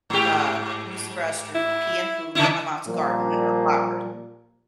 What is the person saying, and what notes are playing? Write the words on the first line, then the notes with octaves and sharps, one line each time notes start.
uh, use the b restroom, pee and poop in my mom's garden and her flowers.
G#2 G4
E4
C#3 D#4 E4
A#2 F3 G3 A#3